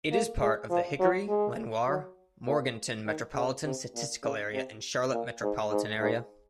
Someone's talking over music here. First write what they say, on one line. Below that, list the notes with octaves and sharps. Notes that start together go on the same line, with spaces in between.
It is part of the Hickory-Lenoir-Morganton Metropolitan Statistical Area and Charlotte Metropolitan Area.
A#3
G#3
F3
F#3
G#3
F#3
A#2
D#3
C#3
C3
A#2
C#3
C3
A#2
G#2
G#2
G#2